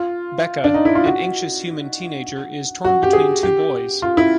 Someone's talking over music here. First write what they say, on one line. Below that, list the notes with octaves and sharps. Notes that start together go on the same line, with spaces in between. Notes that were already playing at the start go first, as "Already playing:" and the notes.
Becca,an anxious human teenager,is torn between two boys.
Already playing: F4
D4
D#4
E4
F4
F#4
F#4
G4
G#4
G4
F4
E4